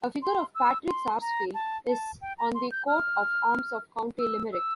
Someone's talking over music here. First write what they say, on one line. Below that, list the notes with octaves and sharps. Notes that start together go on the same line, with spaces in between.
A figure of Patrick Sarsfield is on the coat of arms of County Limerick.
C6
E6
C6
A#5
A5
A5
G5
A#5
C6
G6
F6
E6
E6